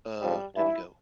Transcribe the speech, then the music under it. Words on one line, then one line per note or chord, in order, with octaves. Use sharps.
"Uh, didn't go."
F2 C#3 F3 G3
G2 E3 E4